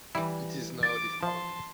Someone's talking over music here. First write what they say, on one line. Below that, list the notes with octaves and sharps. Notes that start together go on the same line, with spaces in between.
It is now defunct.
E3 G3 E4
D6 A6 D7
F3 A5 C6